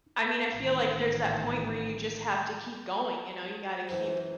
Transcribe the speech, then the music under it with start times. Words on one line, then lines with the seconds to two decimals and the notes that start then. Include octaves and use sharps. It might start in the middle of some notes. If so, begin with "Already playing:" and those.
I mean, I feel like there's that point where you just have to keep going, you know, you gotta keep,
0.54 A1 D#3
3.88 F#2 E3 C5